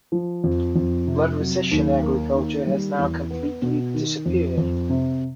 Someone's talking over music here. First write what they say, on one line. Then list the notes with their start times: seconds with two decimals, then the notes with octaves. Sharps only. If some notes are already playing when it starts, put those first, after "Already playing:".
Flood recession agriculture has now completely disappeared.
0.12 F3
0.44 F2
0.76 F2
1.07 C3
1.39 F#3
1.71 D#2
2.03 A#3
2.35 D#3
2.67 G3
2.98 E2
3.30 B3
3.62 B2
3.94 D#3
4.26 F2
4.58 F2
4.90 C3